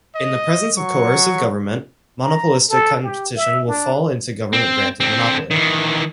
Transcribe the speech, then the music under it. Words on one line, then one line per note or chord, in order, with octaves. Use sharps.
In the presence of coercive government, monopolistic competition will fall into government-granted monopoly.
D#5
F#3 C#6
A#5
A4
G4
E5
D4
C4
D3 C4
D#3 E3